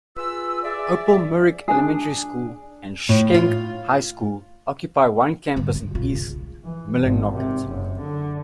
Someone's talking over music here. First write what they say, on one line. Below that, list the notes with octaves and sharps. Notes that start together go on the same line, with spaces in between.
Opal Myrick Elementary School and Schenck High School occupy one campus in East Millinocket.
F4 G#4 B4 E6
G#4 D5 E5
D4 G#4
A2
F4
G2 D3
G2
B1 F4
C#3
E3
G#1
C3
F#1
D3